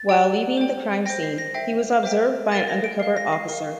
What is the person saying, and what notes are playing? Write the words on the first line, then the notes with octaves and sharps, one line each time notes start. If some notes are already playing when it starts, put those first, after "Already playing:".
While leaving the crime scene, he was observed by an undercover officer.
Already playing: A6
G4 D5 G5
C5 G5
C5 G5 A#6
C7
A#6
C5 E5 G5 C7
C5 E5 G5
A#4 F5 A6
A#6
D7
A#4 F5 C7
A#6
C7
A#4 F5